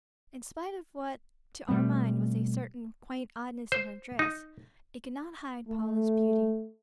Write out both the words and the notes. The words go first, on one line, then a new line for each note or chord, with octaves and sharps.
In spite of what to our mind was a certain quaint oddness in her dress, it could not hide Paula's beauty.
B2 G3 A3 C4
C5
D#4
A3